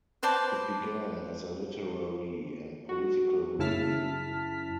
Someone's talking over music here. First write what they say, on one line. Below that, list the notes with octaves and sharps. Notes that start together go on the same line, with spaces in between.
It began as a literary and political review.
B4 C5 D5 A5
F#4
F#2 C#3 E4 A5 F6 B6